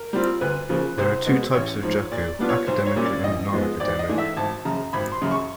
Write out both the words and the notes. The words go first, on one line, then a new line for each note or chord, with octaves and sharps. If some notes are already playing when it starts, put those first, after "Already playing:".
There are two types of juku, academic and nonacademic.
Already playing: A#4
G3 C4 F4
D2 B4
C#3 F3 A#3
C2 C5
B2 G#3 B3
A1 C#5
G#2 F3
A#2 D5
G3 B3 D4 F4
C#5
B1 C5
C#5
A#2 G3 A#3 C#4
D5
A1 D#5
G#2 F3 G#3 B3
G#1 D5
D#5
G#2 E3 A3 D4
E5
G#1 A5
F#2 C#3 A#5
G#1 B5
C6
F#2 C#3
C#6